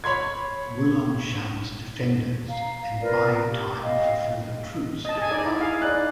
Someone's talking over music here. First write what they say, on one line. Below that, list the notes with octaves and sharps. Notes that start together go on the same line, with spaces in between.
Wulongshan's defenders and buying time for further troops to arrive.
C#5 B5 C6 G#6
F5 A#5
F4 A#4 B4 D5
G4
D#5 F5 G5
D#5 A5
G#4 G#5
D#4 D5 D#5
E4
G#4 F5
D#4 D5 F#6